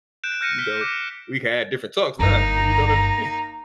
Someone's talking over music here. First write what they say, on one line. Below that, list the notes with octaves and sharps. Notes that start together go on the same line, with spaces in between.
you know, we had different talks now, you know what I'm saying?
F#6 G6 D7 E7
F6 G6 A#6 C#7 D#7
F6 B6 G7
D6 F#6 G6
G1 G2 A#3 D#4 A#5